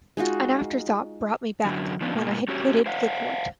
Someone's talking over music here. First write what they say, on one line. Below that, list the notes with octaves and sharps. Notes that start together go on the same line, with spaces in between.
An afterthought brought me back, when I had quitted the court.
G#3 D#4 F4 F#4
F#2 D3 F#3
D#3 F3 B3 C#4 D4 F4
G#2 B2 A#3
C#4 F#4 G4 C#5
C5 D5 F5 F#5